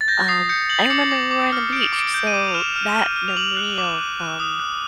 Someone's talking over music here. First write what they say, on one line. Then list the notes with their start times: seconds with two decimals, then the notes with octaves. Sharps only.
um, I remember we were on the beach, so that memory of, um,
0.01 A6
0.08 G6 A#6
0.28 D#6 C7
0.49 G6 C#7
0.70 G6 F#7
0.90 D6 C#7
1.11 D6
1.31 D6
1.52 F6
1.73 G6 D7
1.92 D6
2.00 D7
2.14 G6
2.27 D#7
2.34 D6
2.48 F7
2.54 F6 E7
2.76 F6
2.96 F6
3.16 F6
3.28 F7
3.37 D6 F#7
3.57 F#6
3.78 D6
3.98 F#6
4.19 F#6
4.40 D#6
4.60 F#6